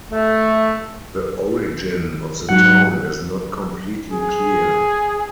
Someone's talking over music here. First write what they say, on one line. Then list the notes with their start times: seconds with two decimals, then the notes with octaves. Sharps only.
The origin of the town is not completely clear.
0.11 A3
2.49 G#2 F#3 D#4 F#5
4.12 G#4